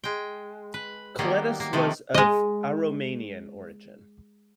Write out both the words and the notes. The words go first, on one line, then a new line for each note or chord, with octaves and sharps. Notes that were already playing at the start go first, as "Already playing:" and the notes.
Kolettis was of Aromanian origin.
G#3 G5
B4
D#3 F#3 G3 A#3 B3
A#3
C3 D#3 F3 A3 A#3
G#3 D#5